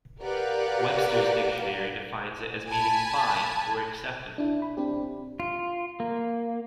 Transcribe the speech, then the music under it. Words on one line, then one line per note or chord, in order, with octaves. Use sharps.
Webster's Dictionary defines it as meaning "fine" or "acceptable".
G4 A#4 B4 D5 F5 F#5
G#5 A5 B5
D4 E4
B5
C4 D4 G4
F4
A#3